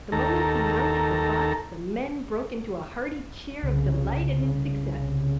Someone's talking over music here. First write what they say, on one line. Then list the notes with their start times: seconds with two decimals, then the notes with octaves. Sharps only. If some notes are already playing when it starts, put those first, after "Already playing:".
The moment he mounted the box, the men broke into a hearty cheer of delight at his success.
0.12 D#2 A4 A#5
3.62 C2 C#3